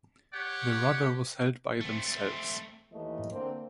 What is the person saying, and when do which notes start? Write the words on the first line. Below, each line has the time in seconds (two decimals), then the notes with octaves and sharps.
The rudder was held by themselves.
0.33 G4 C#5 F#5
1.81 A3 C4
2.93 D#2 E3 A3 D#5
3.32 D3 A#3 C4